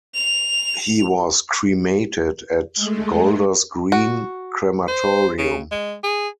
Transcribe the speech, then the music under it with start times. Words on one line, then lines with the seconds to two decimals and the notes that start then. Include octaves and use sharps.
He was cremated at Golders Green crematorium.
0.15 F7
2.75 G#3 A3
3.92 F#4
4.88 C5
5.38 C#3
5.71 G#3
6.04 G#4